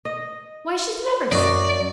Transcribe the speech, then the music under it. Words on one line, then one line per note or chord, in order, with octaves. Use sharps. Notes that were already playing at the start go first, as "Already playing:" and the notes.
Why, she's never sick!
D#5
F#2 F#4 D5 D#5